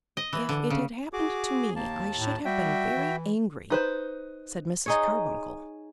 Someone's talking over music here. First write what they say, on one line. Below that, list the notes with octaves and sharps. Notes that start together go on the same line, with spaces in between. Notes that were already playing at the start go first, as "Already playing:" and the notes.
"If it had happened to me, I should have been very angry," said Mrs. Carbuncle.
D#5
E3
D3
C#3
F#4 G#4 D6
D#2 A#3 A5
A2
G3 F#4 E5 G5
E3
D#4 B4 C5
D#4 G#4 C#5